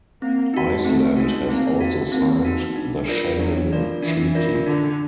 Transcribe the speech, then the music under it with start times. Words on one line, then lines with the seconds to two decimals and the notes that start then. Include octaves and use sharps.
Iceland has also signed the Schengen treaty.
0.22 A#3 C4
0.54 D#4 F#4
0.85 A3 C4
1.17 G#3 D#4 F#4
1.49 A#3 C4
1.81 D#4 F#4
2.12 A#3 C4
2.44 D#4 F#4
2.76 G3 D4
3.08 F4 A#4 D5
3.39 F#3 D4
3.72 F3 F4 A#4 D5
4.03 E3 D4
4.35 F4 A#4 D5
4.66 D3 D4